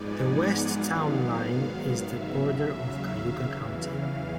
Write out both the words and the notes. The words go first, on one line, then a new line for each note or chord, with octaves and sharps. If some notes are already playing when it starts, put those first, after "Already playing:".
The west town line is the border of Cayuga County.
Already playing: G#2 F3 G#3 B3 D#4 D5 G#5
F#5
G#2 D#3 F#3 B3 F5
D#2 C#3 F#3 E5
F5
E2 C#3 E3
F5